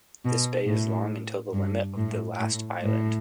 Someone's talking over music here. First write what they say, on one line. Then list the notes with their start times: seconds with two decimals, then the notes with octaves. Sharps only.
This bay is long until the limit of the last island.
0.25 B2
0.67 A2
1.53 G2
1.97 A2
2.40 A2
2.83 A2